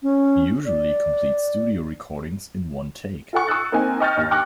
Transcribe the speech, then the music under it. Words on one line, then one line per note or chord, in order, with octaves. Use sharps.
He usually completes studio recordings in one take.
C#4
D5
F4 A4 F#5 C#6
C#6 D#6 E6 F#6 A6
A#3 C4 D#4 G#5
D#5 G5 C#6 F6 G6 A6
D#2 A#6
G5 C#6 D6 F#6